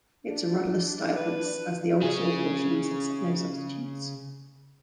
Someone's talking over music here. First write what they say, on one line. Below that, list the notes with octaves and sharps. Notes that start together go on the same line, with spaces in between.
It's a rudderless style piece; as the old saw cautions, accept no substitutes.
D4
B4
C#3 G#4